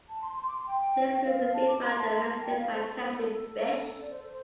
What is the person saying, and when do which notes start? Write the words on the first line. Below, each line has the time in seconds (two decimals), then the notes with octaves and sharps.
Players could receive random messages by catching fish.
0.08 A5
0.22 C6
0.37 C6
0.47 D6
0.56 C6
0.66 G5
1.24 F5
1.39 F5
1.53 A5
1.68 D6
1.82 C6
1.98 A5
2.12 C6
2.26 A5
2.40 G5
2.56 F5
2.70 C5
2.84 A4
3.00 C5
3.14 A4
3.29 A4
3.86 A4
4.01 D5
4.10 C5
4.19 A4
4.27 C5